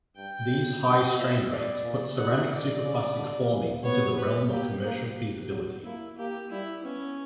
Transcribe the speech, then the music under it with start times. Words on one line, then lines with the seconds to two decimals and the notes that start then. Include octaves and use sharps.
These high strain rates put ceramic superplastic forming into the realm of commercial feasibility.
0.16 G2 G5
0.50 F#2
0.83 G2 G5
1.17 A#2 E5
1.50 G2 D5
1.83 A#2
2.17 B2 F#5
2.50 D5
2.83 C#3
3.16 D3
3.50 E3
3.83 B3 C#5
4.17 B4
4.50 A#3 G4
4.84 A#3
5.50 F#3
5.84 A#3 E4
6.17 A#3 G4
6.50 G3 E4
6.83 B3 C#4